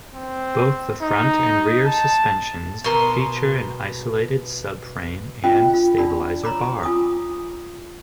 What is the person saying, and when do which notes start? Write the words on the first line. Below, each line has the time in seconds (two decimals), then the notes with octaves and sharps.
Both the front and rear suspensions feature an isolated subframe and stabilizer bar.
0.14 C4
1.02 D#4
1.86 A5
2.84 B2 F#4 A#4 A#5 C6
5.44 D4 F4 C5 D#5 G5
5.73 F4
5.98 D4 D#4 D5 B5
6.43 C#5 A#5 B5 D6
6.83 F4 G#5 C#6 D#6